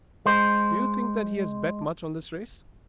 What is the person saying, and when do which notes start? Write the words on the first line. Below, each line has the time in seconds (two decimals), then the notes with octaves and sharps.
"Do you think that he has bet much on this race?"
0.26 G#3 C5